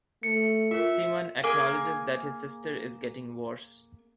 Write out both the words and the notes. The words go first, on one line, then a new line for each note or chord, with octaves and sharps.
Simon acknowledges that his sister is getting worse.
A3 C#7
F4 A#4 E5
A#3 G#4